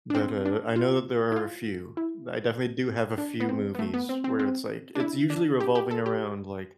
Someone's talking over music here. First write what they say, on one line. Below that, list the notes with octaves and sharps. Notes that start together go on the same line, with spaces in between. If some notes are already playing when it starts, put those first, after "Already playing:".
But, uh, I know that there are a few. I definitely do have a few movies where it's, like it's usually revolving around like
D4
C4
D4
F4
E4
F4
E4
D4
B3
C4
B3
A3
B3
C4
C4
C4
D4
E4
D4
G4
G4
A4
G4